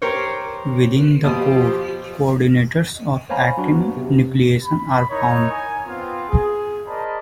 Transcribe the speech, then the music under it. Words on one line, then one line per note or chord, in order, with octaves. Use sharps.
Within the core, coordinators of actin nucleation are found.
G4 A#4 C5 C#5
B2 F3 G4
C5 C#5 F5 G#5 A#5 B5
F#3 D4 F#4
B3
C3
B5
D#4 E4 A#4 C#5
G#5
B3 C4 F4
G#4
A#4 C5 D5 D#5 A5 B5